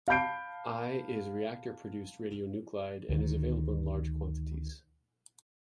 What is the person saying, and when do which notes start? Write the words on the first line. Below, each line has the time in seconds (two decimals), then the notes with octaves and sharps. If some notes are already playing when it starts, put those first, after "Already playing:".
I is reactor-produced radionuclide and is available in large quantities.
0.08 F5 A5 B5 G6 C7 D7
3.09 D2 D#3